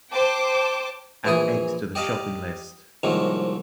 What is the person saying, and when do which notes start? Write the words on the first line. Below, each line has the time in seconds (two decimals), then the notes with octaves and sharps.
Add eggs to the shopping list!
0.11 C5 G5 A5 D6
1.25 A#1 E3 E4 G#4 D#6
1.95 G4 D5 D#5 F5 A5
3.03 C2 G#2 D#3 F3 F#3 A#3